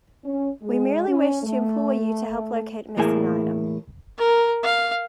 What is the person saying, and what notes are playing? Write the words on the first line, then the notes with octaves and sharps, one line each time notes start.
We merely wish to employ you to help locate a missing item.
C#4
G#3
C#4
A3
E2 A2 A#3 E4 G#4 G#5
A#4
F5